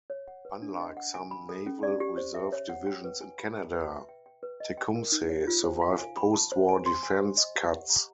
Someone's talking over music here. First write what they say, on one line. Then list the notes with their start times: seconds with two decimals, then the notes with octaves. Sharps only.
Unlike some Naval Reserve divisions in Canada, "Tecumseh" survived post-war defence cuts.
0.10 C#5
0.28 F#5
0.45 B4
0.62 D4
0.80 D#5
0.97 F#5
1.14 G#5
1.31 B5
1.49 A4
1.66 C#4
1.83 D5
2.00 G4
2.18 C5
2.35 E5
2.52 C#5
2.69 F#5
2.87 G5
3.04 B4
3.21 G#5
3.39 B5
3.56 G5
3.74 B4
3.92 E5
4.09 G5
4.26 G5
4.43 B4
4.60 D#5
4.77 G5
4.95 A#4
5.12 D#4
5.29 C#5
5.47 F4
5.64 C5
5.82 F5
5.99 G#5
6.17 B5
6.34 A5
6.52 C5
6.69 G#5
6.86 C6
7.03 G#5
7.20 C5
7.37 D#5
7.56 G4
7.73 F#5
7.90 A#5